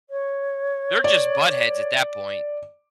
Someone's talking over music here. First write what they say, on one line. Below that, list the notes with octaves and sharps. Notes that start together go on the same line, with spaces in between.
they're just buttheads at that point.
C#5
D5